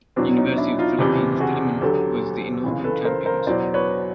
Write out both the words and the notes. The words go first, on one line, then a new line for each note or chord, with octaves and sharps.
University of the Philippines Diliman was the inaugural champions.
E2 B2 F#3 C4 D4
C#4 D#4
D4 E4
D#4 F4
F#1 E2 C3 E3 F4 G4
F#4 G#4
D2 D3 F#3 G4 A4
C#2 C#3 E3
A4 B4
A#4 C5
A#4 C5
E2 B2 F#3 C5 D5
B4 C#5